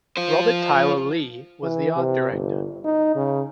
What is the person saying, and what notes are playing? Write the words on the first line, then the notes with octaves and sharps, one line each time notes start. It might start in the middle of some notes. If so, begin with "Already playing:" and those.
Robert Tyler Lee was the art director.
F4 C5
E3
C3
G1
D#4
C#3